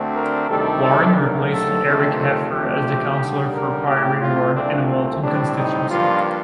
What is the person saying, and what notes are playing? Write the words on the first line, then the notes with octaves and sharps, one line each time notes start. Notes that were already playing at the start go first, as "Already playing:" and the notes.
Wareing replaced Eric Heffer as the councillor for the Pirrie ward in Walton constituency.
Already playing: D2 D3 A3 C4
A#4
D2 C3 D#3 G3 A4
A4
D#2 D3 A3 A#4
A4
F2 C3 D#3 A3
A4
D2 C3 F3 A3 C4 G4
D#2 D3 G3
A#4
A2 A3 C4 G4
F4
C2 A#2 A3 C4 D4
C4
A2 G3 C4 D4
D#4
G2 F3 A#3 F4